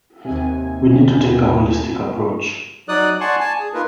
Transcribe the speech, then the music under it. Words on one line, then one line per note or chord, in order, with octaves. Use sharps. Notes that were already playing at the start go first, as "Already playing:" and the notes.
We need to take a holistic approach.
D#2 C3 G#5
F#3 D#4 D5 D#6 F#6
D5 F#5 G#5 A5 C6 C#6
G#5 A5
G#4
A#3 D#4 F4 A#4 B4